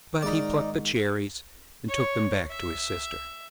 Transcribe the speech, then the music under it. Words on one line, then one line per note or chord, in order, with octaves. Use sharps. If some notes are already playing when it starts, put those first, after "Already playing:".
But he plucked the cherries, and took them back to his sister.
G#2 D#3 D#4 D5
C#5
E5